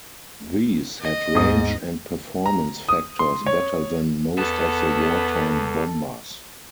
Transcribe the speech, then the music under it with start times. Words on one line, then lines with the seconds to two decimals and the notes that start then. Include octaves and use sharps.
These had range and performance factors better than most of the wartime bombers.
1.01 D#5
1.35 D#2 G#2 B3 D#6
2.46 A#5
2.89 D#6
3.19 C6
3.46 C#5
4.38 E2 B3 A4